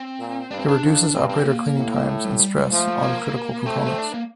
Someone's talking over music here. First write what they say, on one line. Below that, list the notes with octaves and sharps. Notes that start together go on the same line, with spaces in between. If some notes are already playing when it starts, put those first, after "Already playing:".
It reduces operator cleaning time and stress on critical components.
Already playing: C4
A#2
G2 D4
C4
D4
F2
G2 C4
C4
A#3
A2
A3
G3
G3
G3
F3 A3
A3
A#3
A3 C4
A#3
C4
D4
A#3